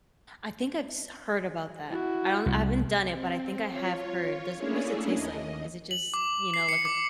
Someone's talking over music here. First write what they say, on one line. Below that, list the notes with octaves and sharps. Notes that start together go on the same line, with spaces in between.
I think I've s heard about that. I don't I haven't done it, but I think I have heard. Does what does it taste like? Is it just, you know, like a
E4 F#4
C2
C4
F4 C#5
A3 A#3 C#4 D4 E4 G#4
D#2 D#5
F#7
D6
C7
C#7
D6